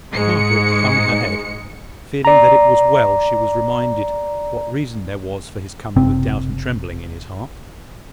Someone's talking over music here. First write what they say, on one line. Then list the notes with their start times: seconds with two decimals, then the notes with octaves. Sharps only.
Margaret hung her head, feeling that it was well she was reminded what reason there was for his coming with doubt and trembling in his heart.
0.12 G#2 G#3 C#7
2.25 D5 A#5
5.96 F#1 C3 C4